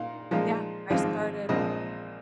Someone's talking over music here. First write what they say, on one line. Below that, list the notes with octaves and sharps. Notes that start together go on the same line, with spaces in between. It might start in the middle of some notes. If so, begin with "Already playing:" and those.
Yeah, I started, um,
Already playing: A#2 D#4 F5
A#2 F3 G#3 D#4 F5
G#1 G#2 F3 G#3 C4 F5
A#1 A#2 F3 G#3 C4 D#5